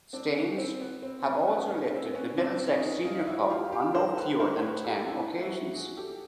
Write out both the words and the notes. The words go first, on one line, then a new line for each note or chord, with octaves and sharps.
Staines have also lifted the Middlesex Senior Cup on no fewer than ten occasions.
C4 D4
B3 C#4
C4
B3
C4
B3 C#4
B3 C#4
B3
C4
B3 C#4
C4 D4
C#4 D#4
D#4 F4
E4 F#4
F4 G4
F4 G4
A#4 C5
A4 B4
A#4 C5
C5
B4 C#5
G4 A4
D4 E4
E4 F#4
F#4 G#4
G4 A4